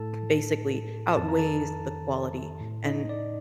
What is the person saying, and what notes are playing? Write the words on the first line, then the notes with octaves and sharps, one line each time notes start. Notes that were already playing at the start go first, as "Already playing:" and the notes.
basically outweighs the quality. And,
Already playing: A2 A4 A5
F2 A5
D#3
A#5
A4 A5
A2
D#4 D#5
D5